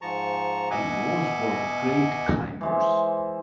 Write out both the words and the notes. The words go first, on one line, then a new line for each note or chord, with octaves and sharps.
He was one of the great climbers.
G#2 F3 A5 A#5 C#6
B2 D#5 E5 F#5 G#5 D6
E3 G#3 C5